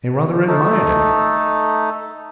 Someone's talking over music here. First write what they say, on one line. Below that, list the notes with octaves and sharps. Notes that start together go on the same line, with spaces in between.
They rather admired him.
A3 D#4 A4